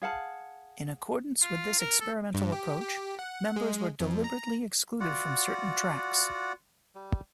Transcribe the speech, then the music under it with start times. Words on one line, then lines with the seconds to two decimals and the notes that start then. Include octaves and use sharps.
In accordance with this experimental approach, members were deliberately excluded from certain tracks.
0.02 G#4 F5 F#5 A5
1.41 F4
1.79 A#4
2.01 A4
2.34 G2
2.52 G4
2.81 G4
3.19 F#5
3.56 G#3
4.00 F2
4.24 A#5
5.00 F4 F#4 D5 F#5
6.95 G3